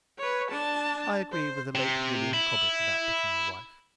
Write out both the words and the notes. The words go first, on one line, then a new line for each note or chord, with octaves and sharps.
I agree with the late William Cobbett about picking a wife.
B4 C#5
D4 A5
C5
C3
E4